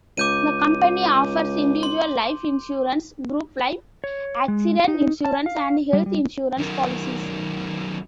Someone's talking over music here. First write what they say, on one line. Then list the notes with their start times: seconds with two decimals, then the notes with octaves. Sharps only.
The company offers individual life insurance, group life, accident insurance, and health insurance policies.
0.17 C#2 D6 G6 D#7
1.83 C6
4.04 C#5
4.48 G#3
4.88 D#4
5.25 A5
5.46 F5
5.93 G3
6.06 G3
6.58 F#2 D#3